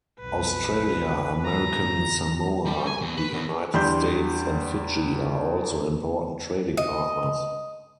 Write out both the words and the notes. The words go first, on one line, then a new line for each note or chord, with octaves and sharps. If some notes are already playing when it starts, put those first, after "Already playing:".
Australia, American Samoa, the United States, and Fiji are also important trading partners.
B1 F2 B4
D2 G#2 A#5
G3
G#5
E2
B4
E2
E2 G3 D4 C6 G6
D#5